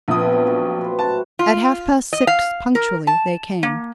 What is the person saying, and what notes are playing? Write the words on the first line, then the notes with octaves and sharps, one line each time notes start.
At half-past six punctually they came.
A#1 C3 A3 B3 D#6
F#3 F5
A#2 F#3 G3
B4 C5
A2 F#4 A5
F4
D#5
F5
A#4
A5
A#3